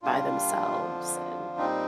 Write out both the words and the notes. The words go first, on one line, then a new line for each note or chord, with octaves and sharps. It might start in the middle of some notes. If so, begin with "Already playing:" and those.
by themselves and,
A#2 G3 D4 F4
F2 D3 F3
A#2 G3 C4 D#4